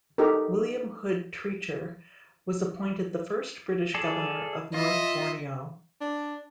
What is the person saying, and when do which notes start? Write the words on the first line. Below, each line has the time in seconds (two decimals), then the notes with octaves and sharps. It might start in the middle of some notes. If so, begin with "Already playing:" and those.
William Hood Treacher was appointed the first British Governor of North Borneo.
0.18 D#4 G4 A4 A#4
3.94 G#4 A4 D5
4.74 F4 D#5 E5
6.01 D4